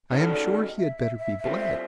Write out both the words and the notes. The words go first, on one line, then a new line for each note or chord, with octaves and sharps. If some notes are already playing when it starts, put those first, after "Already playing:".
I am sure he had better be bled.
D#3 G#3 C#4 F#4 A4 C#5
D5
D5
D#5
E5
E5
E5
E5
G3 C4 F4
E5